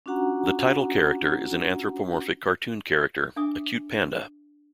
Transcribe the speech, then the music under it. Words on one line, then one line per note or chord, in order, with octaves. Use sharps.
The title character is an anthropomorphic cartoon character, a cute panda.
C#4 D4 F4 F#4 F#5 A#5
D4 E5 G#5 D6 D#6